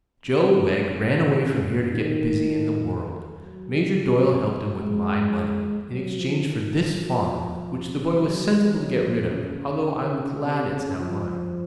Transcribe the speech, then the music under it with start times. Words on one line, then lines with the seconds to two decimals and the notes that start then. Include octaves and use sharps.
Joe Wegg ran away from here to get busy in the world. Major Doyle helped him with my money, in exchange for this farm, which the boy was sensible to get rid of--although I'm glad it's now mine.
0.25 F2
0.53 F#2
0.81 C#3
1.93 D#3
3.36 F#3
4.78 G#3
5.91 F#3
6.18 F3
6.46 D#3
6.76 F#3
7.04 F3
8.17 F#3
8.46 G#3
8.73 F#3
9.02 F3
9.31 C#3
9.58 C#3
9.86 C#3
10.15 C#3
10.43 C3
10.72 C#3
11.00 F3